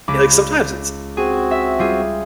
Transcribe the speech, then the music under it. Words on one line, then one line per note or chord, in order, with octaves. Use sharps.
yeah, like, sometimes it's
C#2 B5 D6
C4 F#4 G#4
E5
G3 F4 G#4